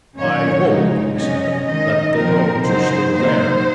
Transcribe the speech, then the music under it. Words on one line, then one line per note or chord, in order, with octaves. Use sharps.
"I hope," he said, "that the notes are still there?"
D#3 F#3 C#4 C#5
C#3 F3 G#3 D#4
C3 F#3 C#4 D#5
D#3 G#3 D#4 D#5
A#2 F3 C4 D#4 A#4
C#3 F#3 A#3 D#4 C5
C3 F#3 A#3 D#4 C5